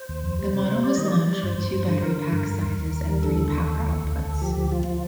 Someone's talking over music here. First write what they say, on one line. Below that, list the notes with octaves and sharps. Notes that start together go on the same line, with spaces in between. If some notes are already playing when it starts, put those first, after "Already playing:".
The model was launched with two battery pack sizes and three power outputs.
Already playing: C5
D#2
F2
G3
C3
C3
G3 D5
D#3 D#5
G3 D5
G3
G2 C5
G2
G2
D3
D3 A#4
D3
G2 A#4
G2
D#2 A#4
D#2
D#2
G3
D3 A4
D#2
D#2
D#2
D2
D2
D2
D2
F3 G4
D2
F3 F4